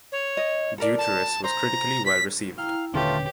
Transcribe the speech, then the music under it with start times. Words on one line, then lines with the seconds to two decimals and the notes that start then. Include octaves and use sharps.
"Deuteros" was critically well received.
0.12 C#5
0.37 D#5
0.78 A4 A#4 D5
0.98 A5
1.44 C5 A#5
2.06 B6
2.58 E4 F5 G5 A#5 F6
2.94 D#1 D3 A3 C#4 F4 G4 B4 C#5